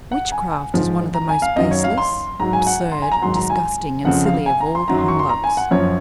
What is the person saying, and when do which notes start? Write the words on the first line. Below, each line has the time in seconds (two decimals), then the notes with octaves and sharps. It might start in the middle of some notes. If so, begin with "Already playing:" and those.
Witchcraft is one of the most baseless, absurd, disgusting and silly of all the humbugs.
0.12 F#5
0.32 G#5
0.74 G#2 F3
1.14 A#5
1.29 G#5
1.42 F5
1.56 F#2 D#3 F#3 D#5
1.71 C#5
1.84 F5
1.98 C6
2.40 G#2 F#3 A#5
2.53 G#5
2.67 F#5
2.81 F#5
2.92 C6
3.02 G#5
3.12 A#5
3.22 G#2 D#3 F#3 C6
3.36 A#5
3.50 G#5
4.05 F2 C#3 F3 F#5
4.26 F5
4.46 G#5
4.61 A#5
4.75 C6
4.88 F#2 D#3 F#3 A#5
4.98 C6
5.08 C#6
5.19 C6
5.29 A#5
5.44 G#5
5.57 F#5
5.71 F#2 F3 C#5